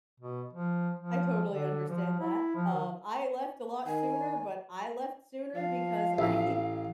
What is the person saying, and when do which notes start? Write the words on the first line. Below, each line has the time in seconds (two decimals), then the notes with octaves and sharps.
I totally understand that. Um, I left a lot sooner, but I left sooner because I
0.20 B2
0.53 F3
0.99 F3
1.48 D3
1.89 F3
2.20 E4
2.55 F3
2.73 D#3
3.87 D#3 G#5
5.56 F3 F5
6.18 A1 E5